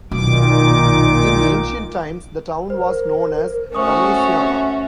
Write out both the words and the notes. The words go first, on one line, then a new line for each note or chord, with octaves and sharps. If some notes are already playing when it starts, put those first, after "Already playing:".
In ancient times, the town was known as Remesiana.
B1 A#2 D#3 D6
A#4 C5
A3 C#4 F#4 C5 E5 C#6 D#6